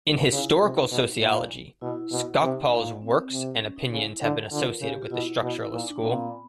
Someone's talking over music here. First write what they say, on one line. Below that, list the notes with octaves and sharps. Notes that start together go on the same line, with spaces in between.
In historical sociology, Skocpol's works and opinions have been associated with the structuralist school.
D#4
C#3 E4
F4
C3 D#4
B2
A#2
B2 E4
B2
C3 D#4
A#2
C4
C3
C#4
D#4
C#3 E4
D3
D3 F4
A#4
B4
A#4
C#3 G4
G4
F4
B2 E4
B2
E4
A#2 D#4
D4
A#2 C4
B3